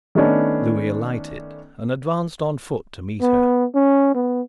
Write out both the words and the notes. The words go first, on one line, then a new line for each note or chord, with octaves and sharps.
Lewis alighted and advanced on foot to meet her.
D#3 A3 B3 C#4 D4
B3
C#4
B3